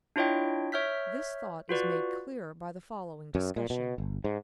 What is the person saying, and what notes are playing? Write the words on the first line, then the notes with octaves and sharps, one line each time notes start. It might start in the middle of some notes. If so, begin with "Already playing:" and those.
This thought is made clearer by the following discussion.
D4 E4 F4 C#5 D#5 G5
C#5 E5 F6 G6 B6
F4 F#4 B4 D5
F#2
A#2
B2
G1
G#2